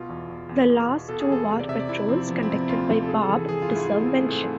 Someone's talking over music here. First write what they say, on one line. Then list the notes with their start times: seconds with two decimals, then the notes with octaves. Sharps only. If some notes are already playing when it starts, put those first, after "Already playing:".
The last two war patrols conducted by "Barb" deserve mention.
Already playing: B2 F4
0.09 E2
0.30 E2
0.49 E2
0.69 E2
0.88 B2
1.08 B2 A4
1.20 G#4
1.29 E2 A4
1.50 C3
1.60 D5
1.69 C3 E5
1.79 D5
1.89 C3 E4
2.09 F3 C4
2.28 F3 B3
2.43 C4
2.49 C3
2.69 D2 F4
2.89 C3
3.02 A4
3.08 G#2 G#4
3.22 A4
3.29 E3
3.49 E3 G#4
3.62 F4
3.69 G#2
3.75 E4
3.88 E3 E4
4.02 C4
4.08 G#2
4.16 A3
4.29 G#2 A3